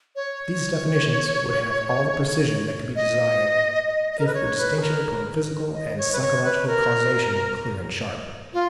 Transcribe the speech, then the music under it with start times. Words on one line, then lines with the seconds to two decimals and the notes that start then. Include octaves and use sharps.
These definitions would have all the precision that could be desired if the distinction between physical and psychological causation were clear and sharp.
0.16 C#5
2.96 D#5
3.88 D#5
4.12 D#5
4.19 A#4
4.27 B4
4.34 C#5
4.58 B4
4.77 G#4
4.81 A#4
5.74 D#5
5.98 C#5
6.12 B4
6.21 C#5
6.44 B4
6.67 A#4
8.54 F4